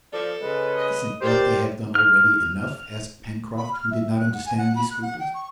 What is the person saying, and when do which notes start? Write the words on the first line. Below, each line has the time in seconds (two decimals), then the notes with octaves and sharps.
"Isn't what they have done already enough?" asked Pencroft, who did not understand these scruples.
0.13 F3 A4 D5
0.42 C#3 G#3 B4
0.77 D#5
1.21 G4 A#4 C5 D5
1.95 F6
3.57 B5
3.73 F6
3.91 E5
4.19 F#6
4.34 F#5
4.46 G#5
4.58 F#5
4.76 B5
4.91 F#6
5.02 F#5
5.19 G5
5.34 C#6